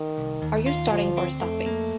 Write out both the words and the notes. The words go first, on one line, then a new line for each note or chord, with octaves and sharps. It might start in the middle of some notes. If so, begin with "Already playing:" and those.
Are you starting or stopping?
Already playing: D#3
C2
D#2
F4
D2 F3
C4
F2 A3
A#3